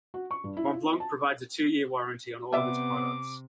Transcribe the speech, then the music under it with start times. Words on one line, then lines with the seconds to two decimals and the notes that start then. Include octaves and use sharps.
Montblanc provides a two-year warranty on all of its products.
0.14 F#4
0.31 C#6
0.44 G2
0.57 E4
0.73 F4
1.00 A5
2.53 C3 G3 B3 F4 E5 D6